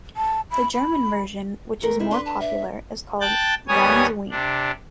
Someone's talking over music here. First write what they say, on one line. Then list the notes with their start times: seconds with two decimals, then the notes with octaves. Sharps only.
The German version, which is more popular, is called "Ganz Wien".
0.17 A5
0.51 B5
0.74 B5
1.82 E2 A3 A#4
1.99 C3 D#4 E4
2.11 D4 B4 C6
2.26 A5
2.40 E5
3.21 G5 A5 F#6 G6 A6
3.68 D#2 G3 B3 C#5 G#5 D#6
4.30 C3 D4